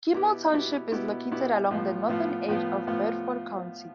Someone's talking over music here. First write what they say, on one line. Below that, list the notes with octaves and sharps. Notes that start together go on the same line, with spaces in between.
Kimmel Township is located along the northern edge of Bedford County.
B2 B3 E4 G4
B2 B3 E4 G4
B2 B3 E4 G4
B2 B3 E4 G4
A2 F3 B3 F4
A2 F3 B3 F4
A2 F3 B3 F4
A2 F3 B3 F4